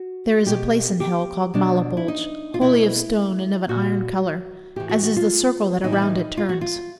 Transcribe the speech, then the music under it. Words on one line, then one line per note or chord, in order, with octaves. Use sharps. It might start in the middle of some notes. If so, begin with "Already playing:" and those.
There is a place in Hell called Malebolge, Wholly of stone and of an iron colour, As is the circle that around it turns.
Already playing: F#4
B2 G4
G4
B2 D4
E4
D#4
F4
B2 E4
A#2 F#4
A2 E3 G4
F#4
F#4
F4
A2 E3 D#4
E4
D#4
F4
F#4
F4